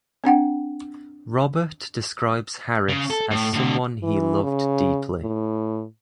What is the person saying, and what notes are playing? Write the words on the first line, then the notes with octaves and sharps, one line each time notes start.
Robert describes Harris as someone he loved deeply.
C4 D4 F#5 G5
C#3
A4
A2
A2 D3
E3
C#3
A2